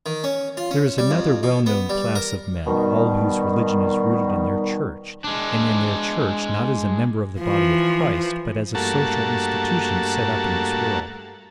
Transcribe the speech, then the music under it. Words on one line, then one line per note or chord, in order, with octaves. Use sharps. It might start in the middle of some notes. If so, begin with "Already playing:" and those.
There is another well- known class of men all whose religion is rooted in their church, and in their church not as a member of the body of Christ, but as a social institution set up in this world.
D#3
C#4
F4
C#4
G3
F2
B2
B3
G3
A#4
B2 D#3 G3
G#3 D4
E3 F3
G2 A3 A#3 F#4 A5